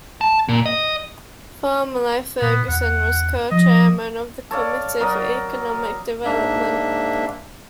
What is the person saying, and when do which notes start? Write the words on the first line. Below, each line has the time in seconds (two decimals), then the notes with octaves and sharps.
Formerly, Ferguson was Co-Chairman of the Committee for Economic Development.
0.21 A5
0.49 A#2
0.66 D#5
2.42 A#2 B3
2.68 E2 F#5
3.52 F3 D#5
4.51 A4 C#5 D5 F5
5.00 F#3 A#4 D5 D#5
6.25 G#2 A#3 D4 E5